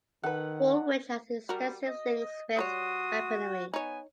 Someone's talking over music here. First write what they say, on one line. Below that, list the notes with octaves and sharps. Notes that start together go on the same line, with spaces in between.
Woolwich has extensive links with weaponry.
D#3 A4 B4 F#5
G3 F#4 A#4
D#5
G3 F#4 B4 C#5 C6 D#6
B3 D#4 C#5 G#5